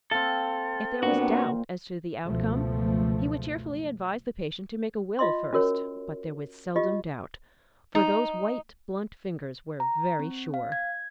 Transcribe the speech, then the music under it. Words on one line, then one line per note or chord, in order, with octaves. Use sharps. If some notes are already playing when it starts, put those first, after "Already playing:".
If there was doubt as to the outcome, he would cheerfully advise the patient to make a will first, but there was seldom doubt, for those white, blunt fingers were very sure.
C4 A4 F5
A#2 B3 C4 D4 F#4
F#1 C#2 B2 F3 A3
F4 D#5 E5 C6
C#4 F#4 A#4 C#5
F4 G4 D#5
D#4
A#5
C4
F5
G#6